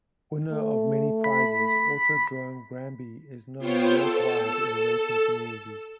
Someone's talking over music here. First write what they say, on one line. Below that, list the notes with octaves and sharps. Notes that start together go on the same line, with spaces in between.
Winner of many prizes Autodrome Granby is known worldwide in the racing community.
A3
B5
B3 F4 C5 C#5 G5
A4 E6